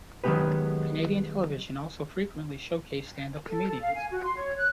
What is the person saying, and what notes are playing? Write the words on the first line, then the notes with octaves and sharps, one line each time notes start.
Canadian television also frequently showcases stand-up comedians.
D#3 F#3 G#3 B3 G4 B4
A4
A4
F5
G#5
F#4
C6
C#5
F#6